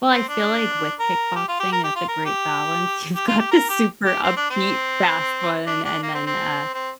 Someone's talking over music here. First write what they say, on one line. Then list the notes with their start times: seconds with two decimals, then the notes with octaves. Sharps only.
Well, I feel like with kickboxing, that's a great balance. You've got the super upbeat fast one, and then, uh,
0.10 C4
0.29 D4
1.00 A#4
1.36 G4
1.48 F4
1.60 G4
1.72 A#4
1.84 G4
1.96 F4
2.08 A#4
2.25 G4
3.15 G4
3.27 F4
3.39 G4
3.51 A#4
3.69 G4
4.05 G4
4.24 C4
4.37 D4
4.50 C4
5.67 D4
5.85 D4
6.03 A#3
6.15 C4
6.26 C4
6.74 C4